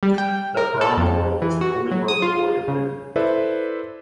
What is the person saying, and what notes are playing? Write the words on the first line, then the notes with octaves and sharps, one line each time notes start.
The Brahma world is the only world devoid of women.
G3
G5
A#4
A4
F2
E3
F#4
F#3
D#6
F4
C#3
E4 A4 B4 C5 D5 E5